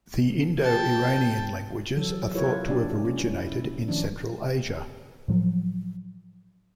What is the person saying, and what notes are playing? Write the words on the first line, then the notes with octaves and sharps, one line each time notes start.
The Indo-Iranian languages are thought to have originated in Central Asia.
G5 A5
E3 F#3 A4
E4 F4 G4 A#4 B4 C#5
C3 D4 G4 D5
C#4
E4
D#3 F3 A3 C#4 D4
A2 F3 F#3